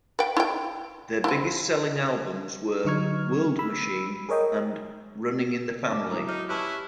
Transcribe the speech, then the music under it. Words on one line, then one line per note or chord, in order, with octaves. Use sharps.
Their biggest selling albums were "World Machine" and "Running in the Family".
B4 G5
E4 G5
C4 E4
D3 F#3 D#4 C#6 F6 G#6
B5 E6
G#4 A#4 C#5 D#5 G5
G2 E5 A5 D6
F#3 E4 A#5 D#6
D#4 D6 F6
C#4 E4 G4 B4 A5 C#6 F#6